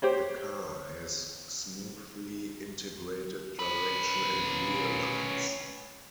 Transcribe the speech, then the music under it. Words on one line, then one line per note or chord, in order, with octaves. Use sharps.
The car has smoothly integrated direction and rear lights.
G4 C5 C#5
C#4 B4